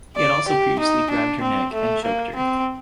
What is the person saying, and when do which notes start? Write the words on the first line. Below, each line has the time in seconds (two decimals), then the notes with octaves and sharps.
He had also previously grabbed her neck and choked her.
0.17 D5
0.48 G4
0.79 D#4
1.11 D4
1.42 C4
1.73 A3
2.04 A#3
2.35 C4